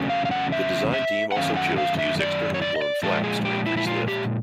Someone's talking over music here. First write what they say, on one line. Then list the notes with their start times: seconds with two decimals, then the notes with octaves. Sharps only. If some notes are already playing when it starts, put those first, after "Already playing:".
The design team also chose to use externally blown flaps to increase lift.
Already playing: E2 C#3 F#3 A3 C#4
0.10 F5
0.25 F5
0.31 F#5
0.52 E5
0.94 E5
1.32 F#5
1.35 F#2 D#3 F#3 A3 C#4 F5
1.57 F#5
1.78 F5
1.99 E5
2.20 D5
2.54 C#5
2.62 D5
2.76 D#5
2.82 D5
3.03 A#2 F3 G#3 A4
3.24 G#4
3.45 G4
3.66 E4
3.77 E4
3.87 F4
4.08 G4